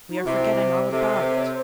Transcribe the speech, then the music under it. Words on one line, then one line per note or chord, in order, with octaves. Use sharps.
We are forgetting all about it.'
D#4
F#4
C3 E4
C3 A4
C5
C#5
C5